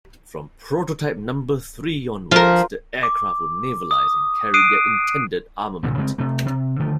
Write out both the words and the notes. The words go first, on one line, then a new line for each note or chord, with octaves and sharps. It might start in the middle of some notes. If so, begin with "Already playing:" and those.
From prototype number three onwards, the aircraft were navalised and carried their intended armament.
F3 F4 A#4
D6
D#6
D#6 F#6 C7 D7 D#7
C2 G2 A#2 D3
C#3 G#3 A#3 C4
C3 A3
C3
D3 D#3 F3 A3